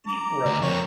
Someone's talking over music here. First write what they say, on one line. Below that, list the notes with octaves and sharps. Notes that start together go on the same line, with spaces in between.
Ye right.
A#5 D6
D2
F2 A#3 C#5